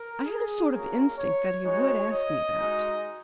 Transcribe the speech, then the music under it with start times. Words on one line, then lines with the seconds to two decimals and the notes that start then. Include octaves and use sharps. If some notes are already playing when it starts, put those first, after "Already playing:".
I had a sort of instinct that he would ask me that.
Already playing: A#4
0.25 G#4
0.71 A#3 C#4 F#4 A#4
1.18 C#5
1.63 G#3 D#4 F#4 C#5
2.10 D#5
2.57 G#3 D#4 F#4